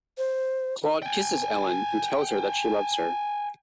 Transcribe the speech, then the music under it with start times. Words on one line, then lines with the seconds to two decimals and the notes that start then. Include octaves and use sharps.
Claude kisses Ellen and tells her that she loves her.
0.17 C5
1.03 G5 G#5